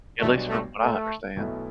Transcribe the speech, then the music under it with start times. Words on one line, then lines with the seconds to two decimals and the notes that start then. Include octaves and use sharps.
at least from what I understand.
0.19 B1 B2 G3 A3 D4 F#4
0.49 A3
0.78 A3
1.36 B1 B2 A3 E4